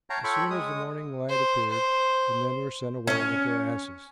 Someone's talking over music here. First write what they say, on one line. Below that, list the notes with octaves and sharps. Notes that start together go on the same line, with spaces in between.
As soon as the morning light appeared, the men were sent away with their asses.
C#5 F5 G5 A5 A#5
F4 A4 C#5 G5 B5 C#6
G#3 D#6
C5
C5
C#4 C#5